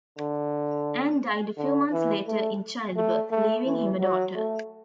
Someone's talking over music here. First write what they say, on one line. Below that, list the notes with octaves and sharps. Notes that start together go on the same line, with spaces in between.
Anne died a few months later in childbirth, leaving him a daughter.
D3
D3
E3
A3
A3
A3
E3
F#3
A3